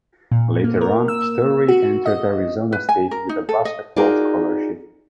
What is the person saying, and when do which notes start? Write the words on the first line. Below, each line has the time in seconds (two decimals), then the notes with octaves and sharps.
Later on, Storey entered Arizona state with a basketball scholarship.
0.31 A#2
0.64 A#3
0.81 A#4
1.08 E6
1.68 F#4
2.06 D#5
2.72 B4
2.89 G#5
3.11 A#4
3.29 D#4
3.49 A4
3.65 D#5
3.96 D#4 F4 F#4 G#4 A#4 D5